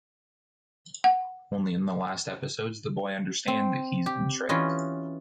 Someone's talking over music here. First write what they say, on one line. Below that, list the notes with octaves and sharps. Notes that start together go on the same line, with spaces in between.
Only in the last episodes, the boy understand that he’s been tricked.
F#5
C4
G4
E3 C#4 F4 B4 D#5